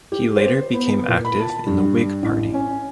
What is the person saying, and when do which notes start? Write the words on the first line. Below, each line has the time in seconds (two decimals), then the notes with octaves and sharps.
He later became active in the Whig Party.
0.12 G4
0.36 C5
0.73 B3
1.08 A#2
1.25 B5
1.40 A5
1.66 G2
2.23 A1
2.54 C#4